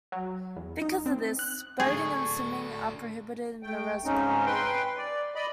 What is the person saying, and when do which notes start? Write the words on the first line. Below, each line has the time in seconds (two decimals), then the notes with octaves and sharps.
Because of this, boating and swimming are prohibited in the reservoir.
0.12 F#3
0.57 E2
0.82 D#4
1.06 C4
1.39 F#6
1.80 A2 D3 G#4 C#6
3.63 A3 G5
4.05 G#2 C#3 C4 C#4 D#4
4.46 B4 G5 C6
4.97 D5
5.35 D5 D#5 B5